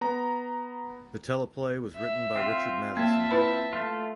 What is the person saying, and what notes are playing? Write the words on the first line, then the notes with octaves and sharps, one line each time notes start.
The teleplay was written by Richard Matheson.
B3 A#5
E5
C4 F4
A#3 E5 A5
E4 B4 B5
A3 F4